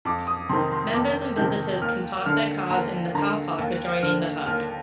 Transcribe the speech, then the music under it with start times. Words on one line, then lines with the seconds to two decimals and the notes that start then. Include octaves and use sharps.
Members and visitors can park their cars in the car park adjoining the hut.
0.05 F2 D6
0.27 D#6
0.49 C3 D#3 C6
0.72 C6
0.94 F2 D6
1.37 C3 D#3 G6
1.82 D#2 F6
2.26 D3 F6
2.70 D#2 A#5
3.14 D3 A#5
3.59 D#2
4.03 D3 F6
4.46 D#2 F6